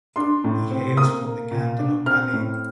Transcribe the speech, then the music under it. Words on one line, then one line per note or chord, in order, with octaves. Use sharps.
He hails from the canton of Valais.
D4 C6
A2
C4
A#3 D#6
A#3
A#2
D4
C4 F6
A2